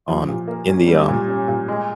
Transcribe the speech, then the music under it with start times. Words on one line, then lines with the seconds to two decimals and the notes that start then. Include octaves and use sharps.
on in the, um,
0.08 F3
0.28 A#2
0.48 A#3
0.68 C#4
0.87 G3
1.09 A#2
1.28 C#4
1.48 A#2
1.68 G#3